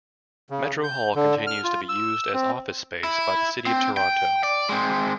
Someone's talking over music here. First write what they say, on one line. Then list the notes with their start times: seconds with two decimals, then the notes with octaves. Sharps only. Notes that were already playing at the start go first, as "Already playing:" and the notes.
Metro Hall continues to be used as office space by the City of Toronto.
0.50 C#3
0.84 G6
1.15 D3
1.47 F6
1.64 F4
1.89 E6
2.34 C4
3.04 E4
3.66 C4
3.97 G5
4.44 D5
4.69 G#3 C4